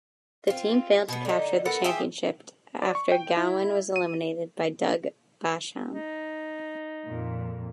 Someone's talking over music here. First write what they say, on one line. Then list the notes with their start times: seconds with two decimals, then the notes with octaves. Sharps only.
The team failed to capture the championship after Gowen was eliminated by Doug Basham.
0.48 C4 F4
1.08 B2 B3
1.25 D3 D#4
1.65 B3 A4 A#4 F#5
1.84 F4 G4 G#4 E5
2.82 D5
2.95 C#6
3.12 G5
3.37 E4
3.96 D#7
5.89 D#4
7.06 F2 A#2